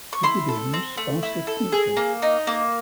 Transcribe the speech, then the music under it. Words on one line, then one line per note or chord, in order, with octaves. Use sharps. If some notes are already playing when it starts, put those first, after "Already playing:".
Pygidium sparsely punctured.
C#6
E4 C6
A4
C4
A3
E4
A4
G#4
A#3
D#4
A#3